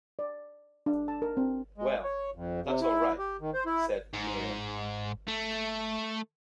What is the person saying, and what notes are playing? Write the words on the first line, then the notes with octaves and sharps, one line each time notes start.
"Well, that's all right," said Merriam.
D5
D4
A5
A#4
C4
G#3
C#5
F2
C3
E4
G4
D#3
C5
E4
G#2
A3